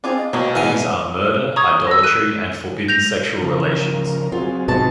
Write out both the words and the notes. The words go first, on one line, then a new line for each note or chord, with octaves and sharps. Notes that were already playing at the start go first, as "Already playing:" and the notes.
These are murder, idolatry, and forbidden sexual relations.
C4 D4 F4 G#4
D#5
B2 F#3 A#3 C4
E2 G#2 A#4 F#5 G#5
A#5 C#6 D#6 G#6
E6 A#6
F#6 D#7
G6 A#6 F7
C#3 F3 A#4
F#3 C4 F4 G#4
G#2 B2 A5